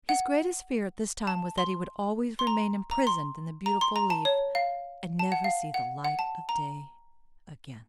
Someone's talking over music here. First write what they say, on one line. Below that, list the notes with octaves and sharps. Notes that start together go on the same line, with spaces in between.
His greatest fear at this time was that he would always remain imprisoned in the beautiful leaf and never see the light of day again.
F#5
A5
C6
C6
A#5
A#5
C6
A#5
C6
A#5
A5
C#5
F5
A5
F#5
F5
F#5
F#5
A5
A#5